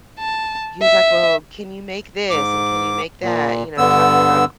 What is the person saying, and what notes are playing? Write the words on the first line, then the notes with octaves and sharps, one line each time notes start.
he was like, “Well, can you make this and can you make that?” You know, talking about
A5
E5
G#2 D6
A#2
G2 D3 B3 E6